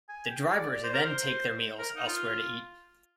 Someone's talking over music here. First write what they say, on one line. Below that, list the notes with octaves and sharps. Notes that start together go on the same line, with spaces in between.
The drivers then take their meals elsewhere to eat.
G#5
G5
D5
D5
C5
A#4
C5
A#4
D#4
F4